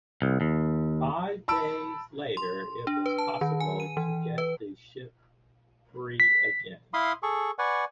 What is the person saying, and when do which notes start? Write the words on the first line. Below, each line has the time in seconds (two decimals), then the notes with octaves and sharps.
Five days later it was possible to get the ship free again.
0.22 C2
0.41 D#2
1.48 A5 B5 E6 D7
2.37 C6
2.87 D4
3.06 B4
3.18 A5
3.41 D#3
3.60 G#5
3.80 D#7
3.97 E3
4.38 B4
6.20 B6
6.94 E4 F5 B5 C6 D#6
7.23 G#4 A4 C#6
7.59 B4 D5 F#5 G#5 C#6